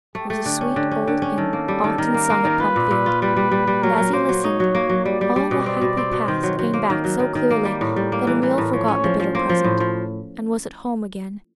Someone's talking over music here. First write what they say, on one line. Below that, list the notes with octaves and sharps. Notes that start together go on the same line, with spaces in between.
It was a sweet old hymn often sung at Plumfield; and as he listened, all the happy past came back so clearly that Emil forgot the bitter present, and was at home again.
A3 G4
A3
D3
C#4
D3
C#4
D3
C#4
D#3 A4
A#3
G3
D#3
D#3 A#4
A#3
A#3
D#3
F4 B4
A#2
A#2
F4
G3 B4
G3
G3
G3
F#3 A#4
F#3
A#3 C5
F#3
D#4 C#5
F#3
A#3
F#3
G3 D5
G3
G3
B2
C4 D5
B2
C4
B2
D#3 C5
F#3
F#3
A#3
D#3 A#4
F#3
D#3
D#3
A#3
G3
A2
G3
A#3
E3
E3
A2
F3 C#5
C#4
F3
F3
A#3 C5
F3
A2
F3